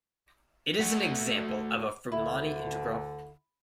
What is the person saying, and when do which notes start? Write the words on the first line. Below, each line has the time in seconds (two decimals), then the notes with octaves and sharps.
It is an example of a Frullani integral.
0.80 A3 F#4
2.12 D2 D3 E4